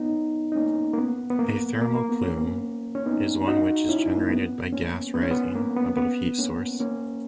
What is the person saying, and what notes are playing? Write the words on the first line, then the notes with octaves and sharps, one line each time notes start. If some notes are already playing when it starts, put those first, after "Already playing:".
A thermal plume is one which is generated by gas rising above heat source.
Already playing: B3 D#4
D#4
A#3 C#4
A#3
B3
B3
A#3
A#3
A#3
B3
A#3 C#4
C#4
B3 D#4
D#4 F#4
C#4 E4
A#3
B3
A#3 C#4
B3
C#4
B3
A#3
B3
B3
A#3 C#4
A#3 C#4